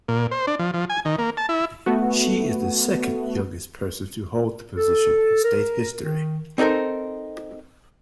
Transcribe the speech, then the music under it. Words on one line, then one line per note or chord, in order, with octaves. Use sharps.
She is the second youngest person to hold the position in state history.
A#2
C5
D4
F3
F3
G#5
D#3
A#3
A5
E4
A3 B3 F#4
A4
A#4
D#3
C4 D#4 A4 A#4 C5